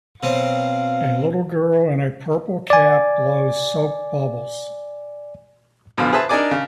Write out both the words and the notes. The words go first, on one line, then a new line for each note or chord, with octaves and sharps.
A little girl in a purple cap blows soap bubbles.
B2 F#3 C4 F5
D5 G#5
F#2 B2 D3 E3 F3 F4
G#4 B4 C5 E5 A5
D4 D#4 A#4 D5 G#5 D6
C#3